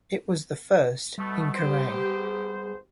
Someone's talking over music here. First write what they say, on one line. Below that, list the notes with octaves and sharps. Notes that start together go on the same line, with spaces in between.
It was the first in Kerrang!
B2 G3 A3
G#1 B3 G4 C5
G#4